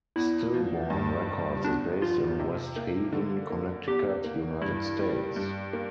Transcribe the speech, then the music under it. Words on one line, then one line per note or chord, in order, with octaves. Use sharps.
Stillborn Records is based in West Haven, Connecticut, United States.
E2 E4
F3
G2
G3
E2 D4
F3 F4
C3
A#3
D3
A#3
E2 G4
A#3
G2 E4
G3
G2
A#3